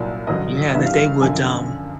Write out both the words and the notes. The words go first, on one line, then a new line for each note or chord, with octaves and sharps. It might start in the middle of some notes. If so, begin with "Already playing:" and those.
Yeah, that they would, um,
Already playing: C2 A#2 F#3 D5
A1 G2 D3 F#3 D#5
G1 G2 E3 G3 E5
F5
F5
F#2 D3 F3 G#5